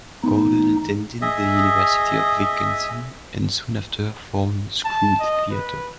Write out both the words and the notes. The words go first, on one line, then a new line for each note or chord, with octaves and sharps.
Gordon attended the University of Wisconsin and soon after formed Screw Theater.
A1 B3 D#4
G#4 D#5 E5
A5
D#5
B4